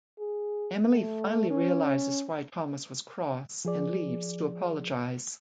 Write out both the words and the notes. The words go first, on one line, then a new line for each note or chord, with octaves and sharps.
Emily finally realises why Thomas was cross, and leaves to apologise.
G#4
A3
C#4
F3 G#4 D5